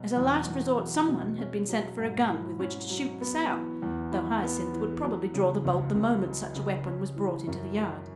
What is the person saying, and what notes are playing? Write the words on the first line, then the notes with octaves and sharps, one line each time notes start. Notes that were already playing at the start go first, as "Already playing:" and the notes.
As a last resort some one had been sent for a gun with which to shoot the sow, though Hyacinth would probably draw the bolt the moment such a weapon was brought into the yard.
Already playing: B2 F#3
E2
E2
F#3
B2
C#4
F#3
G#2
E4
C#4
F#3
B3
E3
E2
E4
B3
E3
F#3
C#3
C#2
C#2
F#3
C#3
C#4
E3
F#2
F#4